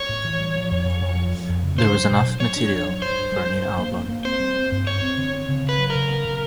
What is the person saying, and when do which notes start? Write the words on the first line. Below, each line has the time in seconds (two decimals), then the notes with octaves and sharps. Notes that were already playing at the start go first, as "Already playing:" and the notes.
There was enough material for a new album.
Already playing: C#5
0.09 A2
0.24 E3
0.40 G3
0.56 F3
0.71 F2
0.86 F2
1.02 F2
1.17 F3
1.32 F3
1.49 F2
1.63 C#3
1.78 D4 C5
1.95 F#3
2.09 B2
2.25 F#3
2.40 F#3 C#5
2.56 D4
2.71 D4
2.87 F#3
3.02 G2 C5
3.18 G2
3.32 G3
3.48 G2
3.63 G2
3.79 A#3
3.94 G2
4.09 A#3
4.25 C4 C5
4.40 G3
4.56 C4
4.71 G2
4.86 C4 C#5
5.02 C4
5.17 D3
5.33 C4
5.48 C#3
5.64 C#3
5.69 B4
5.78 F#3
5.90 C#3 A#4
6.10 B3
6.25 C#3